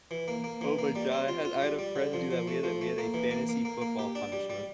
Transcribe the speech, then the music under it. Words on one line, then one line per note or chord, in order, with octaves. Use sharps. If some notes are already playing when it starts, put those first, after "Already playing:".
Oh my god, I had I had a friend do that, we had a we had a fantasy football punishment,
E3
A#3
A#3
E3
A#3
G3
C4
F4
F4
G3
G3
D3
F3
F3
A3
F3
A3
A#3
E3
A#3
A#3
A#3
A#3
G4
D4
G3
G3